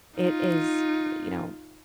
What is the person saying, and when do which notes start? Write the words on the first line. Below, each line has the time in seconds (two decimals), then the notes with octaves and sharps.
it is, you know
0.16 D#4 F4